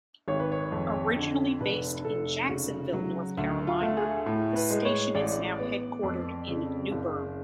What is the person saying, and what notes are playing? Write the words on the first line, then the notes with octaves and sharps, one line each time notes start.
Originally based in Jacksonville, North Carolina, the station is now headquartered in New Bern.
G#1 C#5
B4
C#5
F2
D3
F1 B4
F1 A4
C#3 F#4
F#3
D2
F4
A3
G#4
A2
B4
G#3
C#5
A1 D5
B3
F2
C#3
F#1